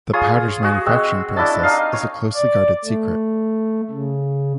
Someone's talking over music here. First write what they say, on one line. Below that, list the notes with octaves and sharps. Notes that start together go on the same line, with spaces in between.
The powder's manufacturing process is a closely guarded secret.
F4 G#4 C#5 D#6
F#4 G#4
G#3 C4 E6
D4 E4 D#5 A5
D#4 D#5 F5
C#5
D5
A3
C#3